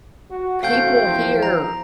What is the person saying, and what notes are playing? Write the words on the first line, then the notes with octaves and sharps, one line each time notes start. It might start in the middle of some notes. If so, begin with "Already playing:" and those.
people here,
F#4
A1 C3 A3 F5 G5 G6
E2 F3
A#5